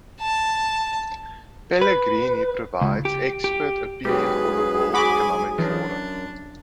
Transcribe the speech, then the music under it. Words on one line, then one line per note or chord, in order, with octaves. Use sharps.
Pellegrini provides expert opinion for the World Economic Forum.
A5
B4
C#2
G4
G4
G#2 F#3 G4 G#4 B4
F#4 G#5 B5 D6
F#2 E3 D4